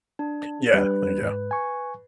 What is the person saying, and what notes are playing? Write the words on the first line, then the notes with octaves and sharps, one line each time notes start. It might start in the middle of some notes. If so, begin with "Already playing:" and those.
Yeah. There you go.
D4
G3 D4 B4
G#2
G#5 C#6